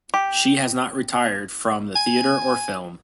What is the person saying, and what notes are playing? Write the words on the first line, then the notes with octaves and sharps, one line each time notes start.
She has not retired from the theater or film.
G4
G#5